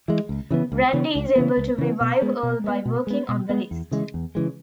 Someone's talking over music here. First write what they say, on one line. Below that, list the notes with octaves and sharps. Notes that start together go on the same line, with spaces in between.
Randy is able to revive Earl by working on the list.
E3 G#3
C#2
C#3 E3 B3
C#2
C#3 E3 B3
C#2
C#3 E3 B3
C#2
C#3 E3 B3
B2
G#3 B3
B2
G#3 B3
B2
G#3 B3
B2
G#3 B3
E2
C#3 E3 G#3
E2
C#3 E3 G#3